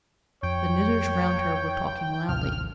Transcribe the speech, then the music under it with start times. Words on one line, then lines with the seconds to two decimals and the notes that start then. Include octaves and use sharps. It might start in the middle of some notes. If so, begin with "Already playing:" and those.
The knitters round her were talking loudly.
0.43 F2 C#5 G5
2.29 A1 D#2 C3 F6